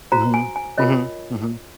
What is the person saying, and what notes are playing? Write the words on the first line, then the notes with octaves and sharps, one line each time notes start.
Mhm, mhm, mhm.
F#4 C5 A#5
G#5
G#5
F4 A#4 C#5 D#5